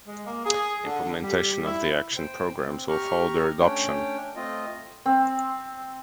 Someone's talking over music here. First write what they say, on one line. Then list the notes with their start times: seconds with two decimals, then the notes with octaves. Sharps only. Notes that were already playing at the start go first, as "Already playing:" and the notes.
Implementation of the action programmes will follow their adoption.
0.07 G#3
0.25 A#3
0.45 G#4
0.84 D3
1.22 G3
1.64 E4
2.17 C5 G5
2.63 C4
2.89 G4 A#5 C#6 F6
3.60 A3 C#4 D4 C#5 G5
4.36 A3 C4 F4 D#5
5.06 C4